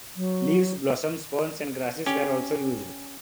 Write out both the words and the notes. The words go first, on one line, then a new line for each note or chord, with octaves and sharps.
Leaves, blossoms, ferns, and grasses were also used.
F#3
C#4 G4